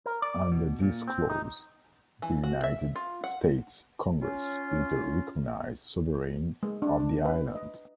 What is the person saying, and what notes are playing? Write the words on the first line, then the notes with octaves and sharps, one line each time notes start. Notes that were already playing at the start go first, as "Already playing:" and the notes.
Under this clause, the United States Congress is the recognized sovereign of the island.
A#4
D5
B2
A#2
C4
D#4
E3
F#4
E5
F4
F#5
C#4 F4
G#3
D4
D4
B4
D#5